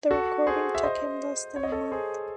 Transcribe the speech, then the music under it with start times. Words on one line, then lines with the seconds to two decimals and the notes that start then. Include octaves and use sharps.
The recording took him less than a month.
0.11 F#4 A4
0.46 G#4 C5
0.75 E5
0.83 C5 D#5
1.56 C#5
1.63 D#5
1.72 A4 C#5
1.92 G#4 C5